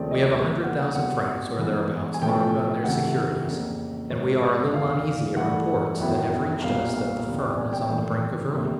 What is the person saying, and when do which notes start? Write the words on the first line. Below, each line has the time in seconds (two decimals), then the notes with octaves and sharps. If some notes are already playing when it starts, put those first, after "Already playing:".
We have a hundred thousand francs or thereabouts loaned on their securities, and we are a little uneasy at reports that have reached us that the firm is on the brink of ruin.
Already playing: D#2 C#3 F3 A3 C4 D5 G5
0.11 D#5
0.32 C2 B2 G3 A#3 E5
0.64 F#5
0.95 C2 B2 G3 C4 F#5
1.58 G2 E3 G#3 B3
2.14 G#5
2.22 A2 F3 A3 C#4 G5
2.84 C#2 C3 E3 A3 F#5
3.47 F2 C#3 F3 A#3
4.10 G#1 G#2 D#3 C#5
4.42 D5
4.73 E1 D2 D3 F5
5.37 G2 E3 A3 F#5
6.00 F#2 D#3 F#3 B3 E4
6.62 B1 A#2 G3 B3 F5
6.94 F5
7.26 E1 E2 C3 D#3
7.42 D5
7.57 G#5
7.73 G5
7.89 G#1 G2 E3 A3 G5
8.52 C3 D#3 G3 A#3